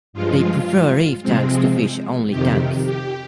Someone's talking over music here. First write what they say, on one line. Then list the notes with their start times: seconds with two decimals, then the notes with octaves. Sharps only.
They prefer reef tanks to fish only tanks.
0.13 G2 F3 G#3 F4
1.22 C3 F3 G#3 C4
2.30 F2 C3 D#3 G4
2.84 G4